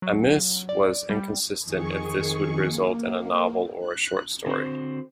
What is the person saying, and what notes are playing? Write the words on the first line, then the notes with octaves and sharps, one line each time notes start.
Amis was inconsistent if this would result in a novel or a short story.
F#3
D5
G3
F2 D#3 G#4 C#6
A#3
F#6
D3 C4 F#4 C5